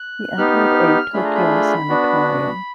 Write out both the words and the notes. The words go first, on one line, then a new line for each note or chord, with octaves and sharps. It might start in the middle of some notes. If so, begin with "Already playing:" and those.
He entered a Tokyo sanatorium.
Already playing: F#6
B3 D#4 G4 F6
A3 D4 F4 G#4 B5
A#5
B5
B3 D4 F#4